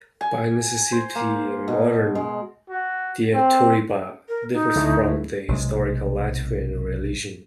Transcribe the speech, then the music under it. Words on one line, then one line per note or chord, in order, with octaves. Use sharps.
By necessity, modern Dievturība differs from the historical Latvian religion.
G#5
C5
A#3
B2
G#3
F#4
C4
A#4
D#4
D2 A3 E4
B1 C3 G#3